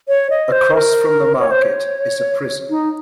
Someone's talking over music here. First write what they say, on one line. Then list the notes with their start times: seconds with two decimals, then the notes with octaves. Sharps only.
Across from the market is a prison.
0.08 C#5
0.30 D#5
0.52 C5
0.74 A#4
1.39 C#5
1.51 C5
1.63 C#5
2.70 D#4